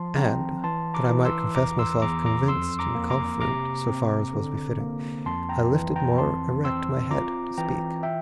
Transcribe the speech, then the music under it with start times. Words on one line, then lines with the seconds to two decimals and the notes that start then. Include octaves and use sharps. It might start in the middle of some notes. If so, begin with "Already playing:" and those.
And, that I might confess myself convinced And confident, so far as was befitting, I lifted more erect my head to speak.
Already playing: F3 A5 C6
0.17 C4 G5 A#5
0.64 E3 A5 C6
0.94 A#5 D6
1.10 E3
1.25 C6 E6
1.56 E2 A#5 D6
1.79 C6 E6
2.02 E2 A#5 D6
2.26 A#5 D6
2.48 F2 C6 E6
2.79 A#5 D6
2.95 A#3
3.10 A#5 D6
3.41 C3 A#5 D6
3.87 C4
4.33 D3
4.80 A#3
5.26 F2 A5 C6
5.49 G5 A#5
5.72 E3
5.96 G5 A#5
6.18 C4 A5 C6
6.64 C4 C6 E6
7.11 F4 A#5 D6
7.57 E3 G5 A#5
8.03 E5 G5